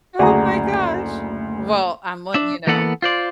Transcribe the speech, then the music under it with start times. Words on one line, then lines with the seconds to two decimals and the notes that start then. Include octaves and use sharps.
Oh my gosh. Well, I'm letting you know
0.19 F#1 D2 F#4 G#4 D5 A#5
2.34 D4 E5
2.67 E3 A#3 B3 A4 F#5
3.02 F4 C5 D5